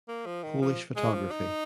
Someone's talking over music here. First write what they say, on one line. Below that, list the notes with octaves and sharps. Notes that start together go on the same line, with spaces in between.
Polish photography.
A#3
F3
D#3
F3
G#3
F3
D#4